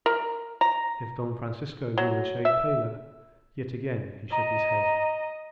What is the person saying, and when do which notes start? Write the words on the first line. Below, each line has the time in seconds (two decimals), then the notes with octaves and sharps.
If Don Francisco grew a shade paler, yet again he shook his head.
0.06 A#4
0.61 A#5
1.98 F#3
2.45 E5
4.32 D#5 A#5